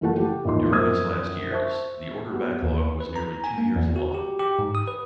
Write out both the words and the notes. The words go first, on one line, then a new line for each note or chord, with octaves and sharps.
During its last years, the order backlog was nearly two years long.
F#1 E3 F3 A3 F#5 A5
G4
A1 D#2 F3 D#4 C6
F#2 F3 C5 D#6 E6 G#6
C5 E5 A5 C#6
B3 F#4 G4
D#2
B4
A#5
G#5
A#3
E2
F#4
G4
G4
G#2
D#6
B4